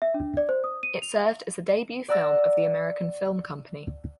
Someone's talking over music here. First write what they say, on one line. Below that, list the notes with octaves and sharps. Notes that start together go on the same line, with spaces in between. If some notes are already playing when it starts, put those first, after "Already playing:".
It served as the debut film of The American Film Company.
E5
D4
D5
C5
D#6
D#7
F7
F5
D5 F#5 A#5 E6 A6